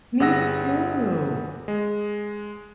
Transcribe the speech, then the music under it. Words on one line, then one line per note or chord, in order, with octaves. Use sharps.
Me too,
G1 G3 G#4 F#5 E6 A#6
G#3